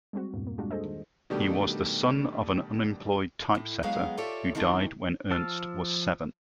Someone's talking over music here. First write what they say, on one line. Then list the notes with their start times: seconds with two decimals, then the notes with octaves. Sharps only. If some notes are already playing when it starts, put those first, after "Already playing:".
He was the son of an unemployed typesetter, who died when Ernst was seven.
0.13 G3 G#3 C4 F#4
0.34 E2 G2 A#2
0.47 A#3
0.58 G3 G#3 D4 F4 F#4
0.71 G#4 A4 C5 D#5
0.84 D#3
1.30 B2 D#3 G3 A3 D4 G4
3.55 A2
3.83 F#3 G#3 B3 G#4 F5
4.17 F4 G4 A4 C#5 D5 E5
4.55 D#3 E3 A3 C4 A4
5.31 F3 A5 E6 F6